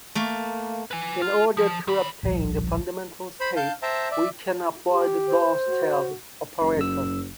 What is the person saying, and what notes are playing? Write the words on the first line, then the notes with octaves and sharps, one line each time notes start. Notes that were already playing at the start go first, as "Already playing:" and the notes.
In order to obtain the fundamental state, we can apply the down stairs operator.
A3 A#3
B4 G#5
F4
F3
D#3 B5
D1 A#1 F3 G3
C5 B5
F5 A5 G6
C5 E5 G5 A5 A#5
D5 E5
G4
C5
F#4
F#1
F#2 E6